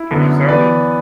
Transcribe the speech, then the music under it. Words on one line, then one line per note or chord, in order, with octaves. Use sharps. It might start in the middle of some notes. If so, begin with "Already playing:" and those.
Can you sell them?
Already playing: E4
F#2 D3 F#3 B3
E3 B3 B4 D5